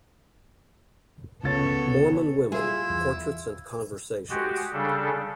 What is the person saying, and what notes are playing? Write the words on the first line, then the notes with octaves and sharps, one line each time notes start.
Mormon Women: Portraits and Conversations.
C#2 B3 A4 C#5 A6
G3 E4 F4 G#4
E2
G#3 F#4 G4
C#3 G3 D4 A4